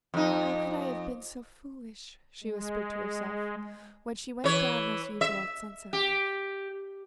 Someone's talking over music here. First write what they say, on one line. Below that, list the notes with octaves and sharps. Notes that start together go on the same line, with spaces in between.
'How could I have been so foolish,' she whispered to herself, when she went down as usual at sunset.
F2 D#4
G#3
E3 C#5
E5
G4